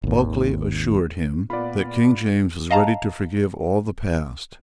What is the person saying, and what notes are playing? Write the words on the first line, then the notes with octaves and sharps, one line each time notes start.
Bulkeley assured him that King James was ready to forgive all the past.
G#1 D#2
A#2 B3 F4 D5 B5
D#5 F5 A5 A#5